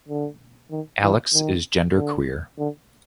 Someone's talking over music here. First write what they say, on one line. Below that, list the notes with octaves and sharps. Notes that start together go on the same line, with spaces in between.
Alex is genderqueer.
D3
D#3
E3
D#3
D3
D3